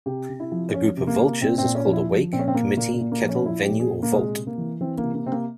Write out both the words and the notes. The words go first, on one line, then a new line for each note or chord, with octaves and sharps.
A group of vultures is called a wake, committee, kettle, venue, or volt.
C3 G4
C3
E4
F3
F3 C#4
C3
A#3
C3 A#3
A#2 C4
C4
A#2
C#4
F3
E4
F3
A#2 C4
C#4
C4
A#2 A#3
A#2 A#3
A#3
A#2
A#3
F3
C#4
F3 E4
G4
A#2
G#4
A#2
A#3
C3 G#3
C3
A#3
E3
E3 C4
A#3
C3
A#3
C3 C4
A#3